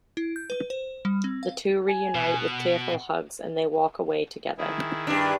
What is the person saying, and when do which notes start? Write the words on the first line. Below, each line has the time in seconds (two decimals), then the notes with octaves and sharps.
The two reunite with tearful hugs and they walk away together.
0.17 E4
0.36 G6
0.50 B4
0.70 C5
1.05 G3
1.24 C4
1.43 F5
1.87 G#5
2.15 B2
2.51 F#5
4.58 D#3 E4 G#4
5.07 G2 D4